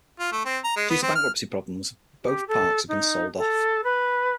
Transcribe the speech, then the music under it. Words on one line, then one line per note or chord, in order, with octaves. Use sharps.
Due to Bankruptcy problems both parks have been sold off.
F4
A3
C4
A#5
G#3
B3
C4
F6
G4
A4
D#4
A4
B4